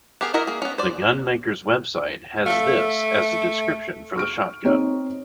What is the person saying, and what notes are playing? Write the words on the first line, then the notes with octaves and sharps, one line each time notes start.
The gun maker's website has this as the description for the shotgun.
B3 G4 G#4 A#4
E4 F#4 A#4 D#5 E5
A#3 G#4
B3 C#4
C5 D5
A3 A4 E5 F5
C#6 F6 D7
C4 D#4 C#5